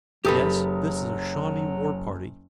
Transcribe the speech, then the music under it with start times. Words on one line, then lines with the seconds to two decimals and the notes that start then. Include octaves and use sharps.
Yes, this is a Shawnee war-party.
0.25 F#1 F#3 G4 A4 B4 D#6